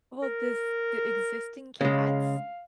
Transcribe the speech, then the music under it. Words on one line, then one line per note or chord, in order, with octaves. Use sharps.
Well, does the existing cats,
A#4
C#3 G#3 F5